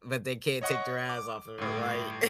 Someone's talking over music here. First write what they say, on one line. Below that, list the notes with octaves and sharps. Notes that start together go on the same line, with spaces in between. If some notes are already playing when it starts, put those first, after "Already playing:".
but they can't take their eyes off of it, right?
C#5 D#5 F#5 C#6
D6
G1 A2